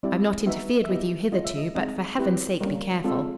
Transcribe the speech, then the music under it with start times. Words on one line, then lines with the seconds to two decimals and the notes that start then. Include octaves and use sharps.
I've not interfered with you hitherto, but for heaven's sake be careful.
0.03 G3 C4 E4 G4 D5
0.46 B3 D#4 F#4 E5
0.84 E5
0.89 B3 E4 G4 D#5
1.32 G#3 C#4 F4 D#5
1.45 E5
1.58 D#5
1.75 G#3 C4 D#4 D#5
2.18 C4 E4 G4 B4
2.61 G3 A#3 C#4 A#4
3.04 G#3 C4 F4 A4